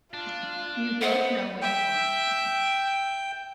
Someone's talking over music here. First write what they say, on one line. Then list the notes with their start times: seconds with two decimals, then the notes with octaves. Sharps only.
You both know what you want.
0.13 D4 F4
1.01 B3 C5 D#5 F#5
1.62 E5 G5